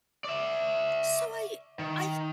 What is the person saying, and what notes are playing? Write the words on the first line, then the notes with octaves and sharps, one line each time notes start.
so, I I
D5 E5
D#3